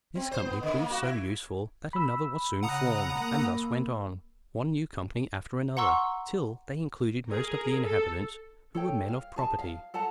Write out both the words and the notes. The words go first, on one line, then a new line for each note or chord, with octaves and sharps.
This company proved so useful, that another was soon formed; and thus went on, one new company after another, till they included most of the inhabitants who were men of property.
C4
C5
B3
D3
A#3
F#4
E4
B5 E6
C#3 F#5 A#5 D#6
A#3
F#5 A#5 C6 C#6 E6
G#4 A#4
A4
A4 C#5 G5
F5
G#4 A5
F5
A4 F#5 A5 A#5